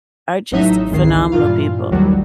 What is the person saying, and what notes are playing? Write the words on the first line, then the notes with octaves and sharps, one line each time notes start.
are just phenomenal people.
A1 A2 F#3 D#4 D#5 E5
G#1 C#2 D#3 C7
G2 A#2 E3 F4 F5
A1 D#2 D#3 F#3 G3